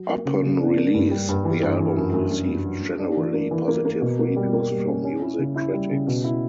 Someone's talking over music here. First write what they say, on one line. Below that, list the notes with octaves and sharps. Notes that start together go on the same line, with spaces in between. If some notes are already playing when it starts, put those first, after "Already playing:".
Upon release, the album received generally positive reviews from music critics.
Already playing: F#3
A#3
C#3
C#3
D4
A#3
G2
G3
G2
E3
G2
E3
F#2
F#2
F#2
F#2
F#3
F#2
D4
E3
A#3
E3
A#3
A#3
B2
A#3
G3
A#3
G3
C#4
C#4
E4
C#3
E4
G3
C#3
B2
E4